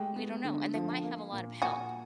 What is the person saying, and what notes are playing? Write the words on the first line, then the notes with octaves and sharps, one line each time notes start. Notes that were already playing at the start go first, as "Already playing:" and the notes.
We don't know, and they might have a lot of help
Already playing: G#3 A3 G4
B3
D3
F3
A#3
A#2
A#2 F#4 G#4